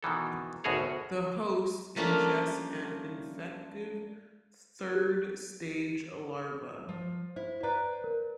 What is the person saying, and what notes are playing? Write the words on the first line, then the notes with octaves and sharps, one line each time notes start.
The host ingests an infective third stage larva.
B2 D#3 E3 A4
G#1 D2 B2 F#4 G#4 C#5
F3 G3 A3 A#3 C#4 D4
G4
F3
E4 C5
B4 C5 D5 A#5 F#6
A#4